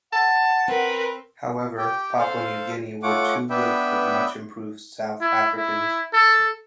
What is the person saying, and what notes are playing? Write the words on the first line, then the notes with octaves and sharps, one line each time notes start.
However Papua New Guinea were too good for the much improved South Africans.
F#5 A5
C4 A#4 B4
G4 G5
A4 C5 F5
A3 F4 C#5 F#5 D6
B3 D4 B4 E5 G5
E4
E4
A4